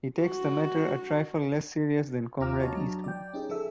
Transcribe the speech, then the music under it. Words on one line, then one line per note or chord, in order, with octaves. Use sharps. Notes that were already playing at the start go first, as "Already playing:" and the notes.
He takes the matter a trifle less serious than Comrade Eastman.
F#4
D#2 C4 F4 A#5 D6 F6
F#4 C#5 D#5 A5 A#5
F#3 D4 F#4
D5 G5
C#4 D#4 G4 G#4
F3 G#4 A4 E5